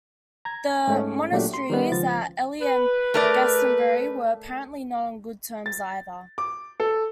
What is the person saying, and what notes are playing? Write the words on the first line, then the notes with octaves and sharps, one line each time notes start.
The monasteries at Ely and Glastonbury were apparently not on good terms either.
A#5 G#6
G#2 A3 C#4
A#2 F#3 A3 D4 G4
C6
D#3 G3 B3
C#2 F3 A6
B4
A3 A#4 D5
A6
D6
A4